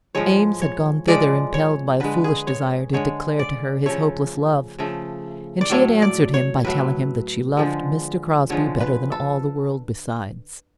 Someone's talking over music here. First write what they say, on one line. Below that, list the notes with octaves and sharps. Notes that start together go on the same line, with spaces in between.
Eames had gone thither impelled by a foolish desire to declare to her his hopeless love, and she had answered him by telling him that she loved Mr. Crosbie better than all the world besides.
A2 F3 G#3 C#5
C#5
A2 F3 G#3 D5
C#5
D3 G#3 B4
G#4
C#5
D3 G#3 C#5
D5
C#3 F3 A3 C#5
C#3 F3 A3
D5
A2 F#3 A3 C#5
D5
C#5
A2 F#3 A3 B4
D3 F3 G#3
D3 F3 G#3 C#5
B4
A4